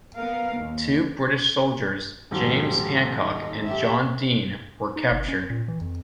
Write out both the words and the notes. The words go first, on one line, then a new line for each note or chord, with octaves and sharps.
Two British soldiers, James Hancock and John Dean were captured.
B3 A#4 F5
D#2
D#1 G#2 F3 F#3 G4
D#4
G4 E5
D#4
G1
C#4
A#2
E3
F2